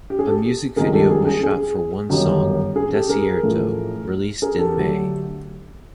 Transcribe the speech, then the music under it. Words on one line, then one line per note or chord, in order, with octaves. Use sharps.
A music video was shot for one song, "Desierto", released in May.
G4
G#4
G4 A4
C#2 C3 D#3 G3 A#3 G#4 A#4
G4 A4
G#4
G#4
G#4
G1 F#2 D#3 F#3 G4
G#4
G4 A4
G#4 A#4
A1 A2 F3 A3
G#4 A#4
G4 A4
D3 F#3 A3